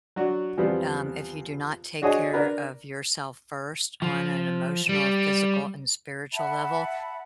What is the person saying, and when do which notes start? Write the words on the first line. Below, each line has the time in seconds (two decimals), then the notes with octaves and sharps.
Um, if you do not take care of yourself first on an emotional, physical, and spiritual level,
0.16 F#3 D4 F#4
0.57 E2 F3 G3 B3 C4
2.02 D4 F#4 G#4 C#5 D#5 G#5
2.33 D4 A#4 B4
4.02 F3
4.89 G3
6.34 E5 F#5 A5 B5